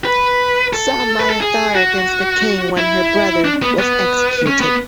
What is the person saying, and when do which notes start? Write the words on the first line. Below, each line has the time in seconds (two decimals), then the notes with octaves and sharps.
Saw Mya Thar against the king when her brother was executed.
0.05 B4
0.73 A4
1.20 B4
1.30 A4
1.41 G#4
1.75 F#4
2.77 E4
3.45 D4
3.62 B3
3.79 B3
4.47 C#4
4.61 B3